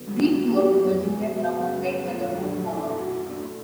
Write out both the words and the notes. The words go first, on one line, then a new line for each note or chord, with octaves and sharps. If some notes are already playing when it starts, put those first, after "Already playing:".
A brief tour with Virginia drummer Greg Weatherford followed.
Already playing: D3 F#3 B3
F#4
A2 F#3 B3
B2 G#3 B3 G#4
F#4
C#3 G#3 B3
D3 F#3 A3 F4
D4
B2 A3 A4
F#4
A2 F#3 A3 D4